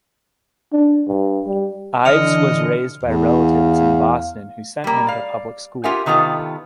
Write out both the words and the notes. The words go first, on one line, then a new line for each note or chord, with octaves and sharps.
Ives was raised by relatives in Boston who sent him to public school.
D4
G2
G3
D3 E3 D#5 F6 C#7 F7
E2
F5
G3 A#3
D5 F5
F4 G4 A#4 E5 F#5 G#5
C3 D#3 B3 F4 A4